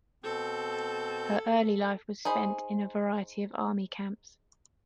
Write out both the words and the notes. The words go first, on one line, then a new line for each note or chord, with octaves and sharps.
Her early life was spent in a variety of Army camps.
B2 C4 A4 G6
D#4 G#4 C5 B5